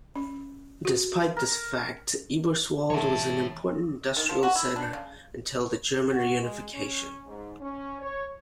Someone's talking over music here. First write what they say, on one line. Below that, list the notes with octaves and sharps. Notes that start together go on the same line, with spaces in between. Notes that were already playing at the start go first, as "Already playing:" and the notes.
Despite this fact, Eberswalde was an important industrial center until the German Reunification.
C#4
F#4
A#4
E3 C#5 E5 A5
D#3
F3
F#4
E4
D4
C#3
F#4
G#3
C#4
G#2
C#4
C#5